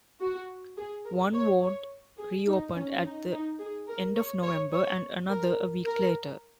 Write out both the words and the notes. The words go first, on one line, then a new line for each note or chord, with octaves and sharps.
One ward reopened at the end of November and another a week later.
F#4
G#4
A#4
C#5
C#5
G#4
D#4
C#4
D#4
D#4
G#4
A#4
C#5
C#5
C#5
A#4
A#4